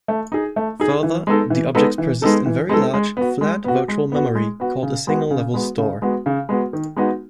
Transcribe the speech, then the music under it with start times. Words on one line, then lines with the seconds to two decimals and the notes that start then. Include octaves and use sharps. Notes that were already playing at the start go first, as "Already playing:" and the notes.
Further, the objects persist in very large, flat virtual memory, called a single-level store.
0.08 A3
0.32 D#4 G#4
0.56 A3
0.80 D#4 G#4
1.03 E3
1.27 G#3 B3 D#4 A4
1.50 E3
1.75 G#3 B3 D#4 A4
1.98 E3
2.22 G#3 B3 D#4 A4
2.46 E3
2.69 G#3 B3 D#4 A4
2.94 G#3
3.17 B3 F#4
3.41 G#3
3.64 B3 F#4
3.88 G#3
4.12 B3 F#4
4.35 G#3
4.60 B3 F#4
4.83 C#3
5.07 G#3 B3 F#4
5.31 C#3
5.54 G#3 B3 F#4
5.78 C#3
6.02 G#3 B3 F#4
6.26 C#3
6.49 G#3 B3 F#4
6.73 D#3
6.96 G#3 B3 D#4 F#4